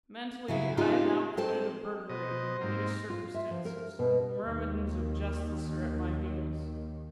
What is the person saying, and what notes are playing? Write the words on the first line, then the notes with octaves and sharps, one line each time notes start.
Mentally, I have now committed a burglary under the meanest circumstances, and the myrmidons of justice are at my heels.'
C#3 F#3 E4
C4 C#4 D#4 F4 G4 G#4
C4 A4 C5 D5 A5
B2 C5 D#5
G#2 A#3 C4
F4
E5
F3
A#4
B2
D#2 D#3